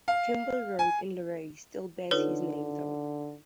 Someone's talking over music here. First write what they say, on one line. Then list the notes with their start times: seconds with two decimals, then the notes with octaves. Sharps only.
Kimball Road in Luray still bears his name though.
0.08 F5
0.79 G#5
2.11 D3 D#4 F4 A4 B4 C#5